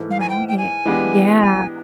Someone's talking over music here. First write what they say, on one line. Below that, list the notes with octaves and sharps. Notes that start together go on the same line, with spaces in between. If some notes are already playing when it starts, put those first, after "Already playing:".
Right, yeah.
Already playing: G#2 E3 A3
F5
G#5
G5
G5
G#5
E3 G#3 B3 D4 G4
G#5